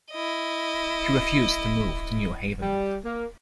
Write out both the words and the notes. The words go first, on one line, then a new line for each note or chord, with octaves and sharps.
He refused to move to New Haven.
E4 D#5
G3
A#3